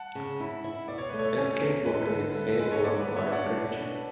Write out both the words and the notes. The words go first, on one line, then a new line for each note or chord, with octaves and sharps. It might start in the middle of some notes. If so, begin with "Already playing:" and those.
A skateboarder is airborne on a bridge.
Already playing: F#5 A5
C#3
E4
E4
B2 D5
C#5
A3 B4
A4 C#5
C#4
E2
G#3 B4
A4
B4
D3
B4
E4 A4
B4
G#3 B4
A4 C#5
F#3 B4 D5
B4 D5
B3
C#5 E5
D4 D5 F#5
B2
D4